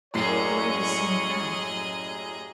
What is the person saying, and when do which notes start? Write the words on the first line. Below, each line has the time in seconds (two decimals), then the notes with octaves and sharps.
The way was soon found.
0.14 F#2 A2 G3 A#3 G#4 C#5 D#5 C7